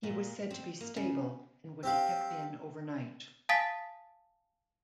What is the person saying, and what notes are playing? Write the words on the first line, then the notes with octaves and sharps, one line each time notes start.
He was said to be 'stable' and would be kept in overnight.
A#2
C4
A#3
C#3
C4 G4 F5
F5 G#5 A5 D#6 A6 B6